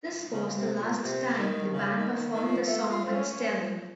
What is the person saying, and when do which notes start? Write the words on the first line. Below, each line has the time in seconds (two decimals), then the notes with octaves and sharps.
This was the last time the band performed the song with Staley.
0.32 C#3
0.55 C3
0.79 A#2
1.02 C3
1.37 D#3
1.72 C#3
1.96 D#3
2.34 D#3
2.43 F3
2.66 A3
2.90 F4
3.04 C4
3.13 C#4
3.31 C#4